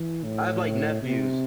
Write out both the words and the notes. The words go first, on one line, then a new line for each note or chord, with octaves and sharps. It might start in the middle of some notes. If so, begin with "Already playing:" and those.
I have, like, nephews.
Already playing: E3
A2
C3